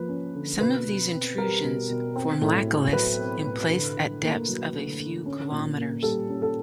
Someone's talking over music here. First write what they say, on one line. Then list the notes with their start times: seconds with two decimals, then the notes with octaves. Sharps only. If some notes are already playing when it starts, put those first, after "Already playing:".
Some of these intrusions form laccoliths emplaced at depths of a few kilometers.
Already playing: F3 A#3 B4
0.09 C#4
0.35 D3
0.61 B2 B4
0.87 B2
1.12 C4
1.38 G3 A#4
1.64 B2
1.90 B2
2.16 C4
2.42 A2
2.67 A3
2.93 F#3 B4
3.19 C4
3.45 A2
3.70 D3
3.97 D3
4.22 A#3
4.48 F#3
4.74 D3
5.00 D3
5.26 C#4
5.51 A#2
5.77 A#3
6.03 G3 A4
6.29 C#4
6.42 A4